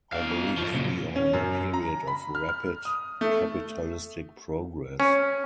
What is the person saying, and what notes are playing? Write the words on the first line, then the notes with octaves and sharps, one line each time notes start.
I believe we are in a period of rapid capitalistic progress.
E2 F5
F#2 F3
A#2 C#3
C#4
F#2
A#5
B5
F6
F6
D#6
A3
C#4